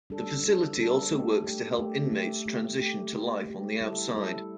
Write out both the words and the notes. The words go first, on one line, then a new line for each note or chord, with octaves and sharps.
The facility also works to help inmates transition to life on the outside.
G3 D4 A4
G3 D4 A4
G3 D4 A4
A3 G4
A3 G4
A3 G4
A3 G4
A3 G4
A3 G4
A3 G4
A3 G4
G3 E4 A4
G3 E4 A4